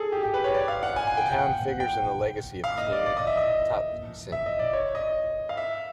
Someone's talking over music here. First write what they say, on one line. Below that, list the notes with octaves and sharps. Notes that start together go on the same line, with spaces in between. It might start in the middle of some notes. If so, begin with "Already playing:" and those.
The town figures in the legacy of King Taksin.
Already playing: G#4 A4
G4
G4
B4
C#5
D5
F5
F#5
G#5
G#5
G5
G5
F#5
G5
F5
D#5
D5
D5
D#5
E5
D#5
E5
D#5
D5
C#5
D#5
F5
E5